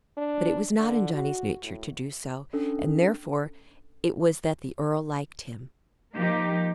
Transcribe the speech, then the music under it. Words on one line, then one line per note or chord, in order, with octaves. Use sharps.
But it was not in Johnny's nature to do so, and therefore it was that the earl liked him.
D4
D3
F#4
A2
C#4 D4 A4
F3 A#3 D#4 G4